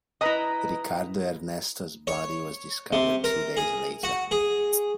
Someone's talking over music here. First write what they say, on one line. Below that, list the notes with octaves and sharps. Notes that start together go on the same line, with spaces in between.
Ricardo Ernesto's body was discovered two days later.
E4 B4 D#5 A#5 D#6
C#5
C3
A#4
G#4
F#4
G#4